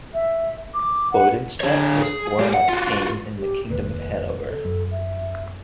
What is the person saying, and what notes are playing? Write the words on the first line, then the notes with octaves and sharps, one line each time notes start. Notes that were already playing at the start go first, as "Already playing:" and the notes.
Bodenstedt was born at Peine, in the Kingdom of Hanover.
E5
D6
F#5
D3 C#5
G#4
G#3 G4
F#5
F4 F#4
G4
F1 D#2 A#2 B4
A4
F#2
E5